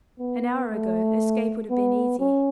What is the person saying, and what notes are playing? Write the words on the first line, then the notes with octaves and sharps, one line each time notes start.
An hour ago escape would have been easy.
B3
A3
B3
C#4